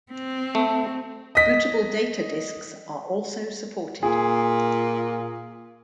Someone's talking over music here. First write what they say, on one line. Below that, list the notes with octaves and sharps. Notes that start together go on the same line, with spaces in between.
Bootable data discs are also supported.
C4
A3
D#5 B6
A#2 G#4